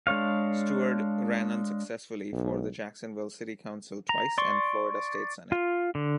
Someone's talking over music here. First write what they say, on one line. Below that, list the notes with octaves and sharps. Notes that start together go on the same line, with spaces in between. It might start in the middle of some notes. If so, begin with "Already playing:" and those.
Steward ran unsuccessfully for the Jacksonville City Council twice and Florida State Senate.
G#3 D4 C#5 F5
B1
A#5
D5 C6 C#6
F4
D3